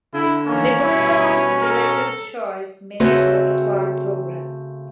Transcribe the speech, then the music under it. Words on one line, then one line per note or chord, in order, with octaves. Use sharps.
They performed the "Director's Choice" mixed repertoire program.
D3 E4
D#3 E3 A#3 C#4
B2 G3 E4 B4 C#5
A4 A#4
C#3 A3 C4 F#4 B4 C#5